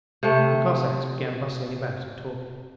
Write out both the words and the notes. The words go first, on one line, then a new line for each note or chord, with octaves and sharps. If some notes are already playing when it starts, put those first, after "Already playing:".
The Cossacks began bustling about and talking.
C3 A3